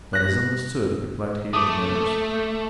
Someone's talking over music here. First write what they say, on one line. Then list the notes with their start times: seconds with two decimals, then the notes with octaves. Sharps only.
"That is understood," replied he of the Mirrors.
0.13 F#6 A#6
1.53 A3 D6 D#6